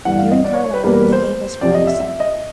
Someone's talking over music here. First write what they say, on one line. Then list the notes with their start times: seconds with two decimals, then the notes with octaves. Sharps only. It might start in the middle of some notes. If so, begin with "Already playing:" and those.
Here in Carlisle they gave us privacy.
0.05 G1 G2 E3 F#5
0.18 F5
0.31 D#5
0.44 D5
0.54 C#5
0.64 C#5
0.74 B4
0.84 E2 B2 G3 A#3 B4
0.93 A#4
1.03 B4
1.12 C5
1.61 F2 C3 F3 D5
1.74 D#5
1.87 E5
2.00 E5
2.20 D#5